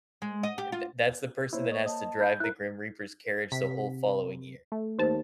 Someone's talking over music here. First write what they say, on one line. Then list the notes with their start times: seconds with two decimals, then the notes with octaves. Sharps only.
th that's the person that has to drive the Grim Reaper's carriage the whole following year,
0.22 G#3
0.43 D#5
0.58 G4
0.72 F4
1.53 A#3 E4 C5 C#5
1.72 D#5 C#6
1.86 D#5 A5
2.21 B5 G6
2.40 E4 A#4 F#6
3.52 C3 B6
4.72 A3
4.99 D#2 C5 A5